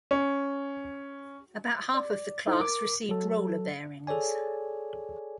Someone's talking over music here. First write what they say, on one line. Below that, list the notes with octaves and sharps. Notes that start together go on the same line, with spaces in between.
About half of the class received roller bearings.
C#4
D5
D#4 E4 A4 C5
A#4 D6
F#3 A4
G#4 A4 C#5 D5 G#5